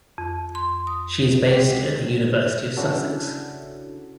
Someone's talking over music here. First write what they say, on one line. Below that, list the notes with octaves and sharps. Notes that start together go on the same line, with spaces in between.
She is based at the University of Sussex.
F2
C6
D#6
C#2 C4 F#4 G4 B6 C7
G#3
C#3 C#4 D4 E4 F#4 A4